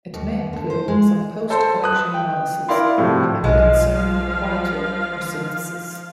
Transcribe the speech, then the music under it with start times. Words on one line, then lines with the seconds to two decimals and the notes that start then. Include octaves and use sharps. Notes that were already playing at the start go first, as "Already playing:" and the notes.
It may include some post-collection analysis like a concern for quality or synthesis.
0.14 D#2
0.53 D3
0.70 C5
0.88 G#3
1.50 A4 C5 C6
1.82 B4 D#6 F#6
2.14 G5
2.68 E4 A#4 D5 F5 B5 C6
2.98 A2 C3 F3 F#3
3.44 B1 F3 G#3 F5